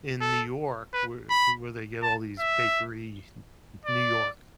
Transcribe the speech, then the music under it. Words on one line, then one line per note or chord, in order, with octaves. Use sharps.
in New York, where where they get all these bakery, N N New York,
A4
B4
B5
A5
E5
D5